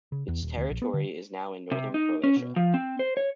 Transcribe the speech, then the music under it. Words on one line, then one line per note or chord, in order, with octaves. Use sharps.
Its territory is now in northern Croatia.
C#3
E2
D#1
D2
A#1
B3
D3
C3
D#4
C#4
B2
F3
C4
C5
C#5